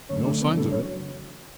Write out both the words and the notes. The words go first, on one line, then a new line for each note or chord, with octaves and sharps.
"No signs of it."
F#2 D3 A3 C#4 C#5
D4 D5
F#2 C#3 E3 G3 B3 D4 B4
A3 A4
F#3 C#4 C#5